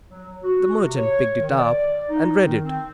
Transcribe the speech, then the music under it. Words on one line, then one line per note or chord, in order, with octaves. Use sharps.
The merchant picked it up and read it.
F#3
F#4
C3
C#5
D#3
D5
D#4
D#3
C4